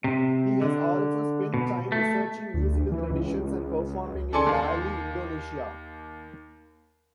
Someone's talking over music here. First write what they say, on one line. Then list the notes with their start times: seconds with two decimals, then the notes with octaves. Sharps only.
He has also spent time researching musical traditions and performing in Bali, Indonesia.
0.04 C3
0.62 D3
1.54 B2
1.92 A3
2.54 D2
2.91 E3
3.11 C#2
4.32 C#3 A4 D5 G#5 C6 C#7
4.46 D#2 F5